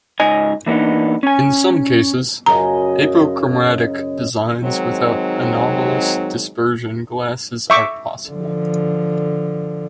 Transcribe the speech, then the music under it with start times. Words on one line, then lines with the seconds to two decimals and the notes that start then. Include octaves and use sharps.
In some cases, apochromatic designs without anomalous dispersion glasses are possible.
0.20 C#2 G#2 D#4 D#5 G#5
0.66 E3 A#3 B3 D4 D#4
1.23 C#4 G#5
2.46 F#2 C#3 D#5 A#5
4.62 D#3 F#3 G#3 C4 D#4
7.70 E5 C#6 D6
8.29 D3 F3